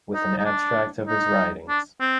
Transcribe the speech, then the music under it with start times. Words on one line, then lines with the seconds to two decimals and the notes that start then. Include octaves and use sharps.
With an abstract of his writings.
0.14 D#4
0.38 D#4
0.45 D4
1.07 D#4
1.69 D4
2.00 C4